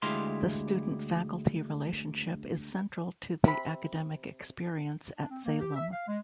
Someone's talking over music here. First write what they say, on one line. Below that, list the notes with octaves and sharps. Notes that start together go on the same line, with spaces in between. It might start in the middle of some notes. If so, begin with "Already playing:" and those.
The student-faculty relationship is central to the academic experience at Salem.
D2 G#3 E4 G4 F5 C6
C3 B5
D4
C4
A#3
G4
E5
F5
G#3